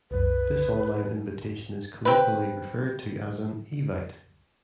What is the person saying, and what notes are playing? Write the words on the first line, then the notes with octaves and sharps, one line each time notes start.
This online invitation is colloquially referred to as "an Evite".
C2 F#2 B4
C4 B4